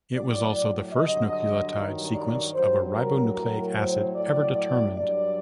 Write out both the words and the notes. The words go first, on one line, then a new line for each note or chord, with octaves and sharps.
It was also the first nucleotide sequence of a ribonucleic acid ever determined.
A2 F#3 D5
G2 D3 F#3 D#5
G2 D#3 F#3
D5
G2 F#3 C5
A#4
A2 F#3 A#4
C5
A2 F#3 D5
D5
G2 F#3 D5